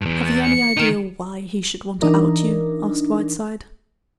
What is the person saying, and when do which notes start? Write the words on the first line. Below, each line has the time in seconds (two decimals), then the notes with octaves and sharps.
"Have you any idea why he should want to out you?" asked Whiteside.
0.02 E2 G2
0.26 A6
0.43 C#7
0.77 D#3 D#4
2.02 E3 D4 D#4 A#4